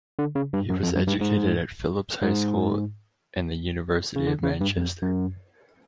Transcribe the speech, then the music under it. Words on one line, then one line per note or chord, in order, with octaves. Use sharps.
He was educated at Philips High School and the University of Manchester.
D3
C#3
G2
F#2
F2
F#2
G2
G#2
G#2
C#3
D3
C#3
G2
F2
F#2